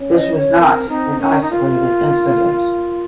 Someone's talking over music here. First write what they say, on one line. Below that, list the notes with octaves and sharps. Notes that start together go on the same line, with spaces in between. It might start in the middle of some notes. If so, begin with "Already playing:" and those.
This was not an isolated incident.
Already playing: C#4
D#5
C#5
C4 A#4
C4 D#4
A#3 C#4
D#4
F4